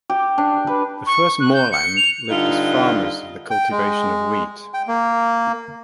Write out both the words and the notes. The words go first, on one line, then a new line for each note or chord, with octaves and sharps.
The first Moorland lived as farmers of the cultivation of wheat.
G4
D4
B4
C#6
F#6
G6
C#7
F7
G2 D3 D#4 F4
G5
G#3
G5
A#3